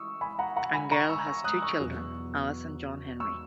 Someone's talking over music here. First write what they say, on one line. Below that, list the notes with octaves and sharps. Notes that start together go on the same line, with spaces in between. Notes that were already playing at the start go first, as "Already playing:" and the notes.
Angell has two children, Alice and John Henry.
Already playing: E4 C#6 D#6 E6
G#5 B5
F#5 A#5
F#5 A#5
G#5 B5
A#5 C#6
C#6 E6
C#6 E6
D#6 F#6
C#6 E6
E2 B2 F#3
C#6 E6